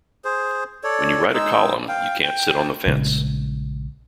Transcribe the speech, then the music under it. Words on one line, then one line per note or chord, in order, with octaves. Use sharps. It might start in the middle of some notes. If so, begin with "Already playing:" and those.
When you write a column, you can't sit on the fence.
G#4 C5
A4 C#5 D5
G#3 D#4 G#4 E6
F5 G5
G5
A#1 A#2 C#3 G#3